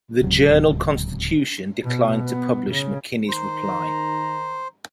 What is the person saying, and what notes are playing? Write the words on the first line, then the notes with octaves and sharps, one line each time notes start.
The "Journal-Constitution" declined to publish McKinney's reply.
D1 C#2 C3 F#3
B2
B3
C#3
D#3 C5 A#5